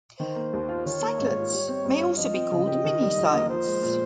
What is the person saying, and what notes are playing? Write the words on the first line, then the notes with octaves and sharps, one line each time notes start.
Sitelets may also be called "minisites".
D#3 C5
A#3
D#2
F4
D#3 C#5
A#3
G#2
F4
G3
C4
G2
F4
F3 D#5
C4
C#3
G4
D#3
G3
F2
A#3
F3 C5
G#3
A#2